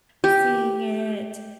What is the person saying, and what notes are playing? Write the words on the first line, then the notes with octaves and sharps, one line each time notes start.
seeing it,"
G4